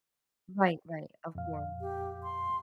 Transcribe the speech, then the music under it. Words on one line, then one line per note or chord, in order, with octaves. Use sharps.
Right, right, of course.
F2 A#2 F5
G4
C6